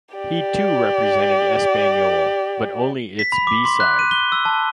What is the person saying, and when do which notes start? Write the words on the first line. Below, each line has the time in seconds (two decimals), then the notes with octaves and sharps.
He too represented Espanyol, but only its B-side.
0.15 G4 D5
3.19 B6
3.32 B5
3.47 D6
3.65 C6
3.80 F#6
3.99 D#7
4.11 G7
4.32 E6
4.45 A5